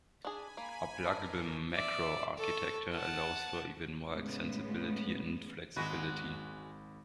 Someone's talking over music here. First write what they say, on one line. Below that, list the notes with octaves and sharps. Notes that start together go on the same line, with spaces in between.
A pluggable macro architecture allows for even more extensibility and flexibility.
D4 G#4 G#5 B5
A#3
A2 E3 D4 A#4
D5 E5
A4 C#6
F#5 A5
A2 C#3 G#3 B3
G#1 G#3 F#4 B5 D#7